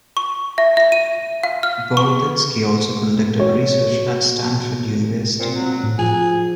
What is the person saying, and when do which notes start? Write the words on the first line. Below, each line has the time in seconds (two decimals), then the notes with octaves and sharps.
Boroditsky also conducted research at Stanford University.
0.17 C#6
0.58 E5
0.77 E5
0.92 D#7
1.44 F5
1.63 F6
1.97 C#6
3.40 F#4 C#5
5.40 A#2 C4
5.55 F#3
5.84 A2
5.99 F3 G#4